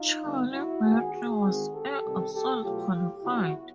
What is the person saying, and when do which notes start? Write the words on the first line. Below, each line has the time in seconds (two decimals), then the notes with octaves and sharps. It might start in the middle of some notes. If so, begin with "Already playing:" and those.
Charlie battery was air assault qualified.
Already playing: D#4 F4
0.23 D3 G3 B3
0.52 E4 F#4
0.83 D#3 G#3 B3 F#4 G#4
1.13 F#4 G#4
1.44 D#3 G#3 C4
1.74 G4 A4
2.03 C3 D#3 G3 C4
2.34 G4 A4
2.64 B2 F#3 A3 F4 G4
3.24 C#3 F#3 B3 E4 F#4